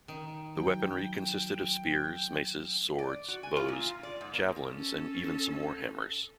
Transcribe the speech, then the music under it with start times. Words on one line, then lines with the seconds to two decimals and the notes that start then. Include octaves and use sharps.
The weaponry consisted of spears, maces, swords, bows, javelins and even some war hammers.
0.08 D#3
0.57 F#3 G5
2.99 D5
3.28 F#4
3.43 G#5
3.56 F4
3.68 A#2
3.80 F4
4.03 D5
4.21 G#2
4.33 A#3
4.71 C#4 A4